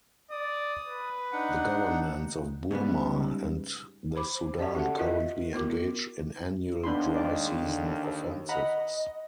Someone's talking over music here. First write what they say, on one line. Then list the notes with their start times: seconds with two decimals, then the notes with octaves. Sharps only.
The governments of Burma and the Sudan currently engage in annual dry season offensives.
0.31 D5 D#6
0.86 B4
1.32 D4 D#4 F#5
2.71 G#2 C#3 G3 B3
4.16 C5 B5 D6
4.58 C#4 G4 D5 E5 A5
4.75 F#4 A4 F#5
4.98 E4 F4 A#4 D#5 E5
5.53 B3 E4 F#4 A#4 D6
6.84 D#2 B3 D4 B5 C6
7.15 G#3 D5
7.59 D3
8.49 D#5 F#5 A#5 B5